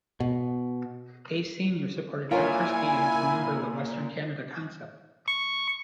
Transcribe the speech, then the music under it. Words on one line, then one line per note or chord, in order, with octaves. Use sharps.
Day, Senior supported Doug Christie and was a member of the Western Canada Concept.
B2
A#2 E4 F4 A#4 C#5 G#5
C#6